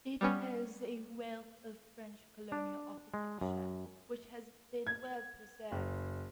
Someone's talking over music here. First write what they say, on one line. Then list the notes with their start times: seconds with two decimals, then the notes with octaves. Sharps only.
It has a wealth of French colonial architecture, which has been well preserved.
0.21 G3 B3 C#4
2.52 D4
3.14 G#3
3.41 F#2
4.87 G#6
5.72 F#1